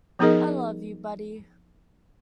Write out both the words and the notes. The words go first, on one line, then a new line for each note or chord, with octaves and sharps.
I love you, buddy.
F3 B3 D#4 G#4 A#4 D#5